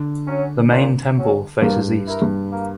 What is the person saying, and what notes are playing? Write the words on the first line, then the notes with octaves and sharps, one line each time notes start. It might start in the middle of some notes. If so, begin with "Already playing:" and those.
The main temple faces east.
Already playing: D3
F#3 C#4
A#2
F#3 C#4
G2 A#3
E4 A#4
G2
A#3